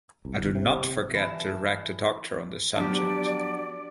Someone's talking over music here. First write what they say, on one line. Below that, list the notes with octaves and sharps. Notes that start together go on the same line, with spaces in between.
I do not forget to rag the doctor on this subject.
C2
G1
C3
C3
E3 A5
F3 F#3 B3 D4 F#4 G4 D5